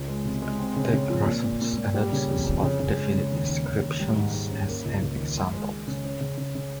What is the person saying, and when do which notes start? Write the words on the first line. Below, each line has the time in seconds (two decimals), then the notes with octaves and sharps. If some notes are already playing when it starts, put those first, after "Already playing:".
Take Russell's analysis of definite descriptions as an example.
Already playing: C#2 C#4
0.08 G#3
0.25 C3
0.42 G#3
0.59 C4
0.76 C#3
0.93 C#3
1.10 F3
1.26 A#2
1.44 A#2
1.62 A#2
1.78 A#2
1.94 G3
2.12 C#3
2.30 F2
2.46 F2
2.63 C#3
2.80 C#3
2.97 G#3
3.14 C#3
3.32 D#2
3.48 D#2
3.65 D#2
3.82 D#2
3.99 G3
4.16 G#2
4.33 G#2
4.51 C#4
4.68 A#3
4.85 C#2
5.02 C#2
5.19 D#3
5.36 G#3
5.53 G#3
5.69 G#3
5.88 C#3
6.05 C#4
6.21 C#3
6.37 C#3
6.55 C#3